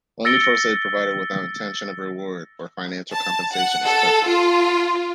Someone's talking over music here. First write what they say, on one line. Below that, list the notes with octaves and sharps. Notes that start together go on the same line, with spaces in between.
Only first aid provided without intention of reward or financial compensation is covered.
E6 A6 A#6 C#7 D7 G7
A5
F#5
A4
F4